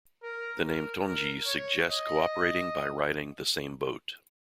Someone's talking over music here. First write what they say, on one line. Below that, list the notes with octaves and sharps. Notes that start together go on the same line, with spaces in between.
The name Tongji suggests cooperating by riding the same boat.
A#4
A#4
A#4
C#5
D#5